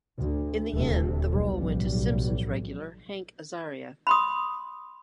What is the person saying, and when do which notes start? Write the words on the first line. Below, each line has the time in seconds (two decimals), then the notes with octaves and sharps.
In the end, the role went to "Simpsons" regular Hank Azaria.
0.17 D2
0.73 D#1 D2 C3 A3
1.24 B1 G3
1.61 A1 F3 C#4
4.07 B5 C6 D#6